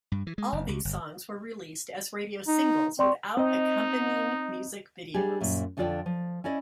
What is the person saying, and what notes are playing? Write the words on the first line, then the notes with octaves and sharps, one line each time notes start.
All these songs were released as radio singles without accompanying music videos.
G2
E3
G#3
F#1
C#2
G1
D#4
C4 D5 C6 C#6
C4 D#4 D#5
G3 D4 G4 G#4
F#2 A#2
F2 D3 F3 F4 D5 G5
F3
C#4 E4 D5 D#5